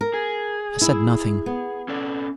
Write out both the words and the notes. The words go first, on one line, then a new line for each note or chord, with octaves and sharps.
I said nothing.
A#4
G#4
E4
B3
C#4 A4 D5